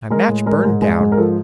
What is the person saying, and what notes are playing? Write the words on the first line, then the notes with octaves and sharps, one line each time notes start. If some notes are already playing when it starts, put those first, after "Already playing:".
My match burned down....
G#3 A#4
A2
G#3 A#4
G#2
G#3
G#2
A#4
F3 A4